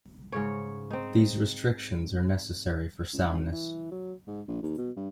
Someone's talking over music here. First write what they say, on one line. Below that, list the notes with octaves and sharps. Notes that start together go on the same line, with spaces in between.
These restrictions are necessary for soundness.
G#2 C#3 C#5
C4 D#4
C#2
G#1
E3
F#3
G#2
A#1
D#2
B2
G2